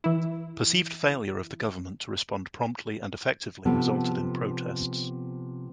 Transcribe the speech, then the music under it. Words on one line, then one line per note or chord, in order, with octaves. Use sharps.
Perceived failure of the government to respond promptly and effectively resulted in protests.
E3 E4
C3 F3 B3 A4